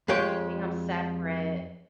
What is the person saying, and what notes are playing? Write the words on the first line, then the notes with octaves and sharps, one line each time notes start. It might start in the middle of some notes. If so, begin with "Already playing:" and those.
Keeping 'em separate.
F2 G#3 G4 C#5 G5